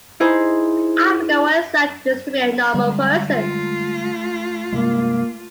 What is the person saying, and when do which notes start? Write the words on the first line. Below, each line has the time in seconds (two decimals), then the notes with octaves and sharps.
I forgot what it's like just to be a normal person.
0.20 D#4 E4 G#4 C5
2.74 D3 G3 G#3
3.28 A3 F4
4.72 G2 C3 G#3 A#3